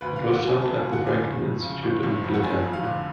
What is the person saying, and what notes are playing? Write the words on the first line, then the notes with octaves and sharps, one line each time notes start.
It was shot at the Franklin Institute in Philadelphia.
D2 B4
F5
D3
F#5
F#3
G#5
B3 A5
D2 G#5
F#5
D3
G#5
F#1
F2
C#3
F#1
F#1
F2
F#5
F1 G#5
F2
F5
D3